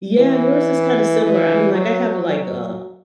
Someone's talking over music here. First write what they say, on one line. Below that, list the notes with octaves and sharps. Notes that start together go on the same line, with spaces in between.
Yeah, yours is kinda similar. I mean, like, I have a like, uh
E3
E3
F#3
F#3